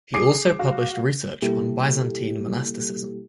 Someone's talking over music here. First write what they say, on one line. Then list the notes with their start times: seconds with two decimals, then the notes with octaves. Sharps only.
He also published research on Byzantine monasticism.
0.14 G#4 D6 C7
0.59 F#4 F5
1.42 B2 G3 A#3 E4 G4 A4